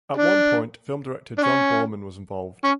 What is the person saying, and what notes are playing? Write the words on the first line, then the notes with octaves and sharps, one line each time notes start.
At one point, film director John Boorman was involved.
D4
D4
C#4
C#4